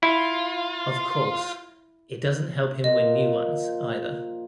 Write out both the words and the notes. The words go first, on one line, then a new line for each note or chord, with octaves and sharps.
Of course, it doesn't help him win new ones, either.
E4 F4
A#2 F3 D#5